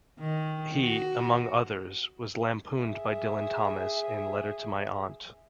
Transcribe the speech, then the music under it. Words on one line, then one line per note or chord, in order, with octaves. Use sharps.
He, among others, was lampooned by Dylan Thomas in Letter to my Aunt.
D#3
F#4
G#4 E5